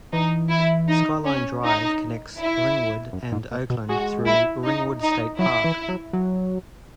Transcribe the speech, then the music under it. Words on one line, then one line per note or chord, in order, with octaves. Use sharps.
Skyline Drive connects Ringwood and Oakland through Ringwood State Park.
E3 D#4
E4
D#4
C#4
D#4
E4
F#2
G#2
A#2
B2
G#3 F#4
E4
D#4
D#4
F#3 E4
E3
F#3
F#3